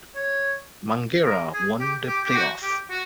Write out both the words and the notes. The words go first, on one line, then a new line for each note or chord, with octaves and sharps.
Mangueira won the playoff.
C#5
A#4
G#4
G4
G4
G4
F#4
G4
F#4